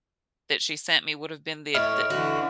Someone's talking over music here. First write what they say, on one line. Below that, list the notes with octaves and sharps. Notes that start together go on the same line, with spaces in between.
that she sent me would have been the the
A2 C#5 D#5 E5 F6 D7
D3 E3 F#4